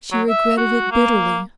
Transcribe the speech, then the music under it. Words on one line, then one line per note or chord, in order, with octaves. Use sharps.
She regretted it bitterly.
F#3
E5
F#4
A#3